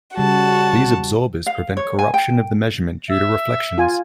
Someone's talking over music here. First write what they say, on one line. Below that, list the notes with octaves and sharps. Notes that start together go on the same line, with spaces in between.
These absorbers prevent corruption of the measurement due to reflections.
C#3 G3 F#4 A5
F5
C#5
G#5
G5
E5
F4 G#5